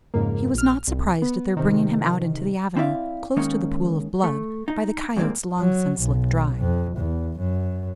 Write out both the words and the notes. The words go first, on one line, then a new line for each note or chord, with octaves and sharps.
He was not surprised at their bringing him out into the avenue--close to the pool of blood--by the coyotes long since licked dry.
F2 G#2 C#3 A#3
A#1 F6
C2
B3
C3 D#3
C4 E4 D5 E5 F5
D#3 G#3 A#3 C#4 D#4
A3
D#4
E2 G2 C3 G#3 A#3 C4
F#3
B1
F2
E2
F#2